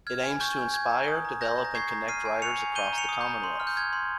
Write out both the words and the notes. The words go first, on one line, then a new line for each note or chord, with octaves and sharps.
It aims to inspire, develop and connect writers across the Commonwealth.
F6 G#6
G#5
C#6 G6
G#5
G6 G#6
A#5
D#6
A#5
G6 A#6
A#5
A#6
C#6 G#6 C7
A#5
F6 C7 D#7
G#5
C#6 C#7 F7
G#5
G6 D#7 G7
A#5 C#7 F7
D#6
G6
A#5
C6
F6
G6
F6 G#6
C6